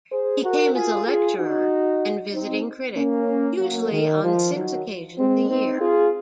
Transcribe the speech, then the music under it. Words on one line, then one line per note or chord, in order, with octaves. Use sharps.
He came as a lecturer and visiting critic, usually on six occasions a year.
G#4 C5
F#4 A#4
F4 G#4
F4 G#4
D#4 F#4
C4 D#4
A#3 C#4
F#3 A#3
D#3
F3
D#3 F#3
G#3 C4
C4 D#4
F4 G#4